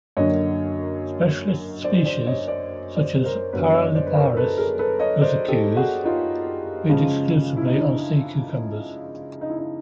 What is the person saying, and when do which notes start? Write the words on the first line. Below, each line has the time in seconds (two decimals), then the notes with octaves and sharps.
Specialist species such as "Paraliparis rosaceus" feed exclusively on sea cucumbers.
0.17 F#2 D3 F#3 A#3 D4 C#5 D#5
1.84 C5 D5
2.06 C5 D5
2.26 C#5 D#5
2.48 C5 D5
2.96 C5 D5
3.24 A#4 C5
3.53 F#2 D3 G3 B3 B4 C#5
3.75 C#5 D#5
3.95 C5 D5
4.07 B4
4.16 A#4 C5
4.37 A4 B4
4.58 G#4 A#4
4.79 A4 B4
4.99 C#5 D#5
5.21 C5 D5
5.48 G4 A4
5.76 F#4 G#4
6.05 D#4 F4
6.89 C#3 F3 G#3 C#4
7.57 E4
7.66 D#4
7.73 D4
9.41 D#4
9.50 E4
9.58 D#4